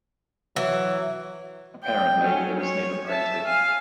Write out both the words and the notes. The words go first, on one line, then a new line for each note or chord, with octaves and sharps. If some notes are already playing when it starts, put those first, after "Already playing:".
Apparently it was never printed.
E3 F#3
G5
F#3 C#4
C#5
E5 A5
F5 G#5